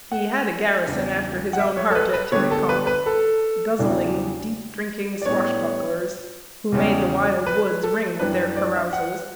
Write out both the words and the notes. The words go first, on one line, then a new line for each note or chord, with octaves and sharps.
He had a garrison after his own heart at Tinnekonk, guzzling, deep-drinking swashbucklers, who made the wild woods ring with their carousals.
F#5
E2 C#3 G3 D4
F#5
E5
C#5
A4
B4
B4
D3 G3 B3 D4 C#5
A4
B4
B4
A4
E2 C#3 E3 G3 D4
D5
A2 G3 B3 D4 C#5
E2 C#3 G3 C#4
B4
A4
F#2 E3 G3 D4 B4
D5
E5
F#5